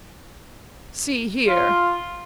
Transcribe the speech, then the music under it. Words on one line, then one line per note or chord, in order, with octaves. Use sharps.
"See here."
F4